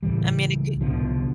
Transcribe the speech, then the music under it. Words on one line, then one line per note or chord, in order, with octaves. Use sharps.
I mean, it could
C#2 A2 E3 G3
C2 B2 D3 F3